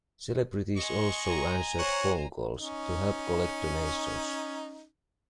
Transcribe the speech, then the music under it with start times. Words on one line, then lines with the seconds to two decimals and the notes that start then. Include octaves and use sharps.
Celebrities also answered phone calls to help collect donations.
0.77 G#3 D#5 C#6
1.26 G#5 A#5
1.79 C5 C#5 F#5
2.57 C#4 D#4